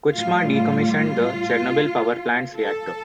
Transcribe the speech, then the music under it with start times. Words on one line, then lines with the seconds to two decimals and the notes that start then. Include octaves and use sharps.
Kuchma decommissioned the Chernobyl power plant's reactor.
0.13 A2 G3 F4
0.53 F4
2.55 A4